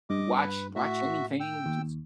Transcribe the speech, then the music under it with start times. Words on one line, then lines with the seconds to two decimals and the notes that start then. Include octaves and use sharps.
watch watch anything, just
0.10 G2 D#5 D6
0.37 B4
0.76 A2 F#4 E5
1.40 G5 E6
1.66 D#2